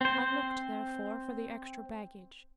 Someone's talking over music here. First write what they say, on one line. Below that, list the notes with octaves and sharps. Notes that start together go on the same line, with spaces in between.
I looked, therefore, for the extra baggage.
C4 C5